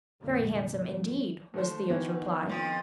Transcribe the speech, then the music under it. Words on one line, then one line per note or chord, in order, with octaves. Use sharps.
"Very handsome, indeed," was Theo's reply.
F1 A#1 A2 D3 A#3
G#1 F2
D#2 A3 C5
B2 D#3 E3 B3
F2 A#2 F3